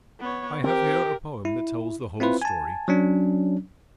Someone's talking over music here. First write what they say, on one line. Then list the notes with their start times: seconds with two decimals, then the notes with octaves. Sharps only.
I have here a poem that tells the whole story.
0.20 B3 C#5
0.64 C4 G4 A#4
1.45 E4
2.20 C4 E4 F4 B4 C5
2.42 G#5 A5
2.88 F#3 C#4 D4